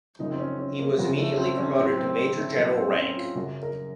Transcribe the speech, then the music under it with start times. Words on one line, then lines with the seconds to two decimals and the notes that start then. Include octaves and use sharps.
He was immediately promoted to major general rank.
0.19 F#2 C#3 F3 D#4
0.30 C4
0.40 C#4
0.59 C#4
0.79 A#3
0.98 F#2 C#3 F3 F#4
1.19 A3
1.31 C#4
1.38 C4
1.57 C#4
1.78 A2 F#3 C4
1.97 C4
2.37 A3
2.56 A2 F#3 A#3
2.76 C4
2.96 C#4
3.17 F4
3.35 F#2 C#3 F#3 F#4
3.63 A#4